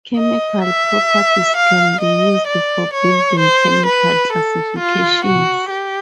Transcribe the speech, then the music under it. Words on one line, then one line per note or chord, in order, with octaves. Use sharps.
Chemical properties can be used for building chemical classifications.
D#5
E5
F5
D#5
D5
C#5
C5
B4
A4
F4
F#4
G4